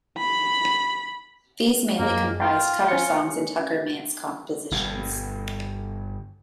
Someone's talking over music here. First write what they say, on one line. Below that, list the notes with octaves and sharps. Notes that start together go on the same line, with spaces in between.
These mainly comprised cover songs and Tucker-Mantz compositions.
B5
F#2 G#3 A#3
F4 G5
C#4 C#7
G1 G2 B2